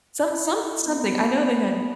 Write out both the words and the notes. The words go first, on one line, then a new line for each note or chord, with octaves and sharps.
some some something, I know they had
E4
B3